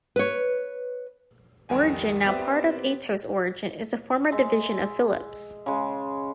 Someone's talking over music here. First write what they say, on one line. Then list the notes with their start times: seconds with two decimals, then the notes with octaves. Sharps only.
Origin, now part of Atos Origin, is a former division of Philips.
0.16 B4 C#5
1.69 F1 C2 D#3 G#5
2.25 B3 C4 G4 D5 E5
4.31 G#3 E5
5.66 C#3 G#3